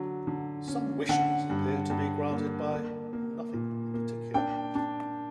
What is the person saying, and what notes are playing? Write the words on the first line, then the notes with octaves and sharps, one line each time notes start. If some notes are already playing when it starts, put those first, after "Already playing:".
Some wishes appear to be granted by nothing in particular.
Already playing: D3 F#3
D3
C#4
D3 F#5
G2
G2
A#3
A#3
A#3
A#2
A#3
D4 G5
D4